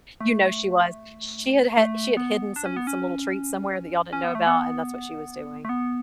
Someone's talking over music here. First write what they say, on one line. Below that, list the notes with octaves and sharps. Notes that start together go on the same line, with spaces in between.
you know she was. Sh she had had she had hidden some some little treats somewhere that y'all didn't know about, and that's what she was doing.
A3
A3
B3
D4
C#4
B3
C#4
C#4
B3
A3
B3
A3
B3